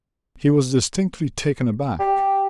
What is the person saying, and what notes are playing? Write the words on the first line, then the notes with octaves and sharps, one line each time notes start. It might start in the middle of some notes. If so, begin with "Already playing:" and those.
He was distinctly taken aback.
G4